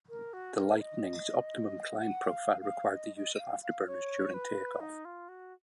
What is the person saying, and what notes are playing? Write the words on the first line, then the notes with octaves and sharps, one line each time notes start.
The Lightning's optimum climb profile required the use of afterburners during takeoff.
A#4
F#4
A#4
D#5
F#5
F5
F5
D#5
D#5
D#5
F5
F5
C#5
B4
D#4
F4
F#4